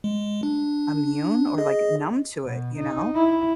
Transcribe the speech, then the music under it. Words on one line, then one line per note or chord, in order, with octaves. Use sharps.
immune or like numb to it, you know.
G#3
D4
G#4 D#5
B2
D#4
E4